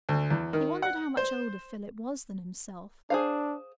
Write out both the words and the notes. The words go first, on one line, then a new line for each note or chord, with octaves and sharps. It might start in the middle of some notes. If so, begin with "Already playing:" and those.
He wondered how much older Philip was than himself.
D2
E2
D#3
F#5
C5
D4 G#4 C5 F5